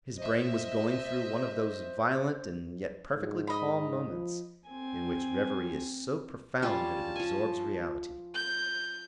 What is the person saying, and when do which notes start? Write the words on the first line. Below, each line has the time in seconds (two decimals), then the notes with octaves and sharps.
His brain was going through one of those violent and yet perfectly calm moments in which revery is so profound that it absorbs reality.
0.17 C5 D#5 E5
3.17 G#2
3.47 D#5 B5
4.08 F3
4.68 C4 G#5
6.62 G3 C#4 F4 A5
7.16 F3 G#5
8.35 G6